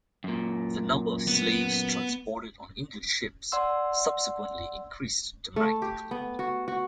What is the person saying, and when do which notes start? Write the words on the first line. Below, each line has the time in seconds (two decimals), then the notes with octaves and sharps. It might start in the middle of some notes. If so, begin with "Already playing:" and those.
The number of slaves transported on English ships subsequently increased dramatically.
0.24 F#2 A#2
1.27 B3
3.52 D5 F#5 C6 E6
5.56 A3
5.82 G4
6.11 B3
6.39 F#4
6.68 F#4